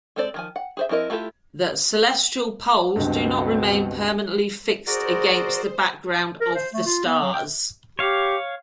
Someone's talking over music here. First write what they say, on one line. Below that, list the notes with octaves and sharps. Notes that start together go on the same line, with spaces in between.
The celestial poles do not remain permanently fixed against the background of the stars.
G#3 C4 A4 C5 D5
D#3 F3 G#5
F#5
G#4 C5 E5
F3 C4 E4 A#4 D#5
A3 E4 F4 G4 A4
C#2 G2 B2 C4
F#4 G#4 A#4 C5 D5
A#4
C5
A3
F4
B3
F#3
G5
G4 C#5 F5